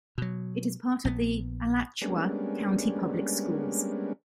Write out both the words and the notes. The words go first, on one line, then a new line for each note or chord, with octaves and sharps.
It is part of the Alachua County Public Schools.
B2 F#3
A#1 B3
G3 G#3 A#3 B3 C#4 D4